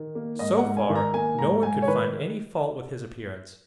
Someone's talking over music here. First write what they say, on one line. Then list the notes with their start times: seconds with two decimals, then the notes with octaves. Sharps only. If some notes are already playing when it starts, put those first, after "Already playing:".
So far no one could find any fault with his appearance.
Already playing: D#3
0.15 A#3
0.39 G#2 D#5
0.58 F#5
0.65 G#2
0.77 G#5
0.90 D#3
0.95 A#5
1.14 A#3 G#5
1.39 G#2 A#5
1.63 G#2 G#5
1.82 C#5
1.88 D#3 B4